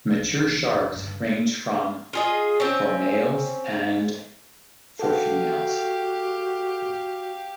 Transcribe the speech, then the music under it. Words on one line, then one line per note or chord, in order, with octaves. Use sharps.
Mature sharks range from for males and for females.
B1
F#1 E3
F1 A2
G2
G#3 D#4
F4 G#4 D#5
C4 C#4
F#4 G4 A4 F5 F#5